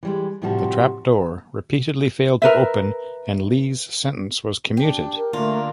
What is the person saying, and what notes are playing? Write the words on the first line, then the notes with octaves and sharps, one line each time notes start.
The trap door repeatedly failed to open and Lee's sentence was commuted.
E3 G3 G#3
A2 C3 F3 G3 F#4 A5
A#4 B4 E5
D4 G4
A#4
D3 A3 A#3 F4